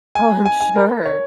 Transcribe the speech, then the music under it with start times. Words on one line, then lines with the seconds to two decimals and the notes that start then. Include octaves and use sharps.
Oh, I'm sure.
0.15 G#5
0.45 G#5
0.60 G#5
0.76 A#4
1.06 C#5